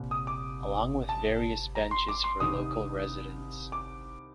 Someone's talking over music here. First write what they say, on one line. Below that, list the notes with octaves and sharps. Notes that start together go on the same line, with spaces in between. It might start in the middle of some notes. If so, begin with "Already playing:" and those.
Along with various benches for local residents.
Already playing: C2 A#2
D#6
D6
A5
A#5
C6
D6
C6
C2 C3 D#3 D#6
D6